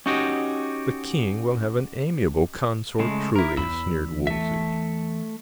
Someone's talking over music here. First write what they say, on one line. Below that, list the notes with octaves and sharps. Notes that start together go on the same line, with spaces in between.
"The king will have an amiable consort, truly," sneered Wolsey.
C#4 D#4 F#4 G4 D#5
C#3 G#3 A3
E4 A#4
E2 E3 B5 E6
A3 E5